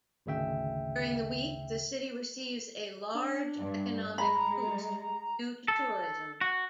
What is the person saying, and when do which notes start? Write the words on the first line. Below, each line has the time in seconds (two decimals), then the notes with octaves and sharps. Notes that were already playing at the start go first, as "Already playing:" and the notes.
During the week the city receives a large economic boost due to tourism.
0.26 G#1 D2 C#3 E5 G5
3.15 D4
3.56 G2
4.18 G#3 A#5 B5
5.68 A4
6.41 F#4